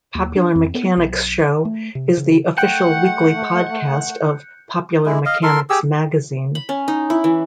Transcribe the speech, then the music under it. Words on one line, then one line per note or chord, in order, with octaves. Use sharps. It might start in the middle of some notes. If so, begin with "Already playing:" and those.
Popular Mechanics Show is the official weekly podcast of "Popular Mechanics" magazine.
D#2
D4
F2
B3
B1
A3
C3
C#3
A3 F#5 G5 F#6 G6 C#7
G#3 E4
D#5 F5
A4 A#4 C6
G4 G#4 E6
B5
C#4
D#4
E4
E3